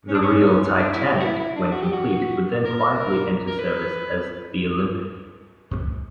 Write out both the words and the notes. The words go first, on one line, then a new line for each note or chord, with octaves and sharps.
The real "Titanic" when complete would then quietly enter service as the "Olympic".
C#4
D4
C#4
D4
E4
G4
F#4
E4
E4
D4
F#4
G4
F#4
A#4
A#4
B4